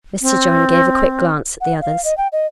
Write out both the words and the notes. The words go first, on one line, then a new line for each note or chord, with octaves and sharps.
Mr. John gave a quick glance at the others.
C4
F#5
F5
D#5
G5
D#5